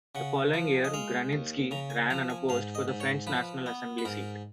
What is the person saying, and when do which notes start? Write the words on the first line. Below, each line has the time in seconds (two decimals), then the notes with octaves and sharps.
The following year Grunitzky ran unopposed for the French National Assembly seat.
0.15 C#3 F#5
0.54 F3
0.84 D#5
0.94 G#3 F5
1.33 D#2
1.71 C#3 A#5
1.90 G#5
2.10 F3 A#5
2.30 G#5
2.49 G#2 F5
2.75 D#5
2.88 G#2
3.00 C#5
3.27 F3 B4
3.66 B3
3.98 B4
4.05 G#2 A#4